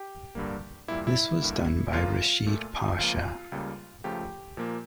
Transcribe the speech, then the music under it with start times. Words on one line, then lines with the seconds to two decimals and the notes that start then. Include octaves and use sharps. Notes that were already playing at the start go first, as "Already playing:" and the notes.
This was done by Reshid Pasha.
Already playing: G4
0.35 G2 D3 G3 A#3
0.88 A#2 G3 A#3 E4
1.07 E4
1.41 G2 D3 G3 A#3
1.93 C#2 C#3 F3 A#3 F4
2.46 A#2 A3
2.99 C#2 C#3 F3 A#3 F4
3.52 C#2 C#3 G3 A#3
4.04 C#2 C#3 F3 A3 G4
4.57 A#2 F3 A#3